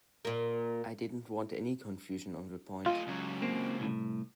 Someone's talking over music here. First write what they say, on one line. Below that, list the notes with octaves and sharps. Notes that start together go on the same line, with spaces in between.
I didn't want any confusion on the point.
A#2 A#3
A3 F4 D#5
C#2 F#3
A#3 C4
C2 A2